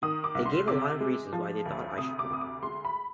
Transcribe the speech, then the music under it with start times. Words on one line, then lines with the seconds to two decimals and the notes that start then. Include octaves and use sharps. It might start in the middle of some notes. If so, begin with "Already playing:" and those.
They gave a lot of reasons why they thought I should run.
0.03 D#3 D#6
0.24 D6
0.35 C2
0.46 C6
0.68 C3 D6
1.00 G#3
1.33 F3
1.66 D2
1.98 C3 D#6
2.19 D6
2.30 D2 D#6
2.41 D6
2.63 G#3 C6
2.85 B5